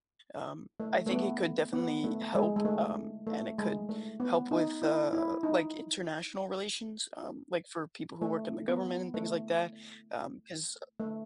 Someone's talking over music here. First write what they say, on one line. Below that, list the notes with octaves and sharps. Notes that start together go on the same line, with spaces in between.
um, I think it could definitely help, um, and it could help with, uh, like, international relations, um, like, for people who work in the government and things like that, um, 'cause
A3
A3
B3
B3
A3
G#3
G#3
A3
A3
G#3
A3
B3
D#4
E4
E4
D#4
A3
B3
A3
A3